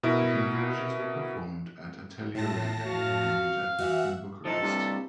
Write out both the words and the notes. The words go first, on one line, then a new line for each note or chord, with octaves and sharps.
The conversions were performed at Atelierele Leonida in Bucharest.
B2 E4 A#4
A2 F4 A5 A#6
F#4 F5
E3 F#4 E5 F#5
F3 D#4 A4
G2 C3 G3